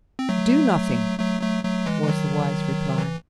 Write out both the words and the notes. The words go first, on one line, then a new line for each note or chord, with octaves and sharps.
"Do nothing," was the wise reply.
C4
F#3 A3
F#3 A3
F#3 A3
F#3 A3
E3 G#3
E3
D#3 F#3
E3